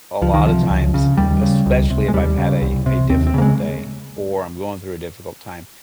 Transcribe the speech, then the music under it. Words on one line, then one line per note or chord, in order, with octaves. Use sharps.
a lot of times, especially if I've had a a difficult day or I'm going through a difficult time,
C#2 F3
D#3
C3 F3
C#2
C#3
D#2 G3
C#3
C#2
C3
G#3
D#2 G3
C#3
C2
C3
D#2 C4
C4
C#3 A#3
G#3